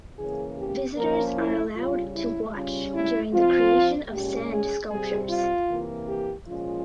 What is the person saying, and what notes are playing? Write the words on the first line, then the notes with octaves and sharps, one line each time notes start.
Visitors are allowed to watch during the creation of sand sculptures.
C#3 E3 A#3 C#4 G#4
G4
F3 A#3 C#4 A#4
E4
C#3 G3 C#4 F4
E4
C#3 G3 C#4 F4
E4
F3 C4 F4
A#2 G#3 C#4 G4
G#4
C3 G3 C4 G#4
F4
C3 E3 A#3
G4
A#2 F3 G#3 C#4 F4